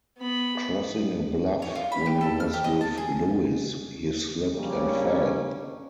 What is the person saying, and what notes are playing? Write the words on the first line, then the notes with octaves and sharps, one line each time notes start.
Crossing a bluff when he was with Lewis, he slipped and fell.
B3 B5
C#5
F4
B5
G4
A4
F6
G4
D#5
A5
G#4
C#3 G3 A#3 C#4 D4